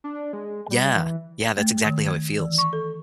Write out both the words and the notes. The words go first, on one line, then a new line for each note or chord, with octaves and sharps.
Yeah. Yeah, that's exactly how it feels.
D4
G#3
G3
E3
A3
D#3
G#6
E3
C#6
A4